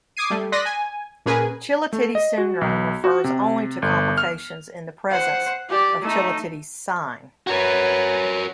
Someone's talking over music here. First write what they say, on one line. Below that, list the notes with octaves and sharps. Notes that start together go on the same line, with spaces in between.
Chilaiditi syndrome refers only to complications in the presence of Chilaiditi's sign.
D6 D#6 G#6 C7 D#7
G3 A3
D5 C6 D#6 F#6 A#6 B6
G#5
A#2 C#4 G#4 A#4 B4 G#5
A3
D#5
F#4
B1
F#4
C3
G1
F6
C5 F#5
G4 D5
A3 D#4
F#4 A#4 B4 C#5